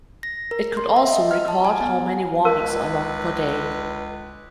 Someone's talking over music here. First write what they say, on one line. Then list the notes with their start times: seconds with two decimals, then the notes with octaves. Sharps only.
It could also record how many warnings are logged per day.
0.23 A#6
0.51 A#4
0.77 C6
0.96 E5
1.11 D#5
1.31 F6
1.48 A5
1.65 G#5
1.81 B3
2.45 C#2 A#4 B4